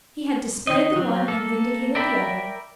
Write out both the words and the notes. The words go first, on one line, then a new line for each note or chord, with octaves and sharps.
He had displayed the one, and vindicated the other.
D#3 D#4 D#5
F#3 C4
A#3 A4
A#4 D5 E5 G5 B5